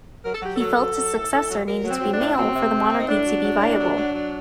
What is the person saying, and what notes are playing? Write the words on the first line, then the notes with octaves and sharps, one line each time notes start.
He felt his successor needed to be male for the monarchy to be viable.
F#3 A#4
A4
F#3 G4
F#3 A4
F#3
F#3
A2
A2
F#3
F#3 A#4
F#3
C4
F#3
D4
A2
F#3 C4
C3
C3
C3
D#4
A2 D4
F#3
F#3
A2
F#3
F#3
F#3